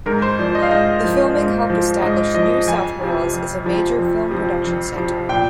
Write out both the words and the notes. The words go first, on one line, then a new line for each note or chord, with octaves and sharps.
The filming helped establish New South Wales as a major film production center.
G#2 A#4
C5
F3 D5
D#5
F5
G#2 D#5
F3
G#2
F3
G#2 D#5
F3 D#5
F2 G#5
C3 F3
F2
C3 F3
F2
C3 F3
F2
C3 F3
A#2 G5